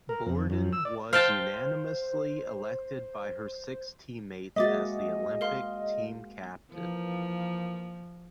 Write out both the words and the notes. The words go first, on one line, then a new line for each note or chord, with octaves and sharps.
Borden was unanimously elected by her six teammates as the Olympic team captain.
A#4
F2
F#2
E6
D5
C5 F5 G5 A5
G#3 A#3 F#4 D#5 E5 D6 A6
A#4 F5 C6
E3 F3 A#3